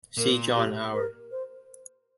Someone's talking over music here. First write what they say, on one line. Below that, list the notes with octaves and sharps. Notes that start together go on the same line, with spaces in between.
See John Hour.
A#2 A#4
G4
A#4
C5